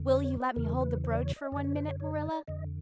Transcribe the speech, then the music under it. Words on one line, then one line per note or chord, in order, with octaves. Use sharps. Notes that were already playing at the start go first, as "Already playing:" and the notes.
Will you let me hold the brooch for one minute, Marilla?
Already playing: F2 D3
C#5
C#5
C5
E2 C#3 E3 A#4
B4
C5
D5
C#5
D#5
F#2 D3 D5
C#5
C5
C#5
C#5
D5
D5
F2 D3 D#5